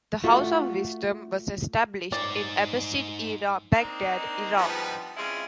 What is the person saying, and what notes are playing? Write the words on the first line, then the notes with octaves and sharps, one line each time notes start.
The House of Wisdom was established in Abbasid-era Baghdad, Iraq.
A3 F4 F#4
D#4 C5 D5
A#3 C4 D4 D#4
F3 G3 G#3 B3 D4 D#4
G#3 C4 C#4 E4 F4